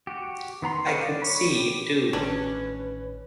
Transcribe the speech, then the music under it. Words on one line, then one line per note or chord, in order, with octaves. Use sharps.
I could see it too.
F#4 G4
D#3 B3 A#5 C6
G#4 B4 C#5 F5 F#5
D5
C#5 B5
G4
A1 D#3 C#4 D4 B4